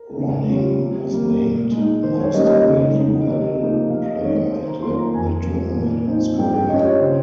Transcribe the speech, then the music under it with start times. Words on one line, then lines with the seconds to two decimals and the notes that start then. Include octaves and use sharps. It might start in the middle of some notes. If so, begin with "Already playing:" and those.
Ronning was named Most Valuable player and led the tournament in scoring.
Already playing: A#4
0.17 C#3
0.48 G3 C#4 F4
0.79 C3
1.11 G3 A#3
1.41 A#2
1.72 G#3 D#4
2.03 D#3 C5
2.19 C#5
2.34 G3 A#3 C#4 D#5
2.50 D#5
2.66 C#3
2.96 G#3 D#4
3.28 C3
3.59 F3 A#3 D#4
3.90 C3 F5
4.05 D#5
4.21 D#3 G#3 C#5
4.36 C5
4.52 D#3 C5
4.68 A#5
4.82 A#3 F4 C6
4.98 A#5
5.14 F2 G#5
5.46 C3 F3 C4
5.76 A#2
6.07 F3 C4 D#4
6.38 G2 G5
6.54 G5
6.69 G3 C#4 F4 D#5
6.85 C#5
7.00 C#3 C5